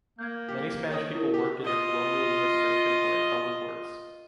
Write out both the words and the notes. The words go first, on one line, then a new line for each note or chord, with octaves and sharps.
Many Spanish people worked in the colonial administration or in public works.
A#3 G6 G#6
G4
C#5 D#5
E4 A#4
F#4 G4
F4 D#5